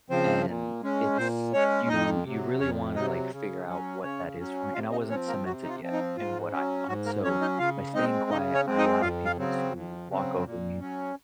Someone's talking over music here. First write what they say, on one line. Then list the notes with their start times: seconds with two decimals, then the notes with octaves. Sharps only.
and it's, you, you really want to like figure out what that is for me and I wasn't cemented yet in what I thought. So, by staying quiet, I allowed people to walk over me,
0.10 C#3 F3 C4 C5
0.46 A#2
0.82 G#3 C#4
1.17 A#2 C4 C5
1.53 G#3 C#4 C#5
1.88 F2 D#4 D#5
2.25 C3 F#3
2.59 F2 C#4 C#5
2.95 C3 F#3 D#4 D#5
3.32 C#3
3.67 F#3 C#4
4.02 C#3 C#4 C#5
4.38 F#3 C#4
4.74 C3 F4 F5
4.91 D#4 D#5
5.09 F3 C4 C#4 C#5
5.27 A#3 A#4
5.45 C3 F#3 F#4
5.63 D#4
5.69 F4
5.81 F3 C4
5.93 D#4
6.17 G#2 F4
6.52 F#3 C#4
6.87 G#2 F#3 F#4
7.05 A#3 A#4
7.23 F#3 C#4 C#5
7.41 D#4 D#5
7.59 C#3 F4 F5
7.94 G#3 C4 D#4 D#5
8.30 C#3 D#4 D#5
8.54 C#4 C#5
8.66 G#3 C4
8.78 D#4 D#5
9.01 F2 F4 F5
9.25 F4 F5
9.37 C#3 F#3 C4
9.73 F2
10.09 C#3 F#3 C4
10.44 A#2
10.80 F#3 C#4